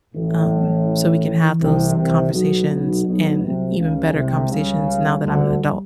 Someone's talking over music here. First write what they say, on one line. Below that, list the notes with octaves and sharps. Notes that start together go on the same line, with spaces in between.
um, so, we can have those conversations, and even better conversations now that I'm an adult.
A1 A2 E3
C2 C3
C2 C3
B1 B2 F#3
B1 B2
B1 B2
C2 C3
C#2 C#3 G#3
C2 C3
C#2 C#3 G3
D2 D3